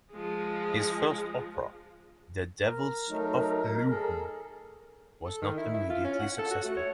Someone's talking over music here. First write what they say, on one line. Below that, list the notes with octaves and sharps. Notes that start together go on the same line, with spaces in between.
His first opera, "The Devils of Loudun", was not immediately successful.
F3 G#3
A#4
F#3 A3 D#4
G#4 A4
A4
D#3
E4
E4
F4
C#4
F#5
A4
F#4
A3
C#5